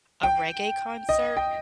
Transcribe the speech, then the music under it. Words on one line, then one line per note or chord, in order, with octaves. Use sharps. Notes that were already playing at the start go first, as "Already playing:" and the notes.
a reggae concert,
G5
D#5
G5